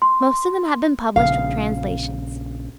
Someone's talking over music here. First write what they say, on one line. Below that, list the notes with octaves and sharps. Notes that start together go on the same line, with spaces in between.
Most of them have been published with translations.
C6
A#1 C#3 F5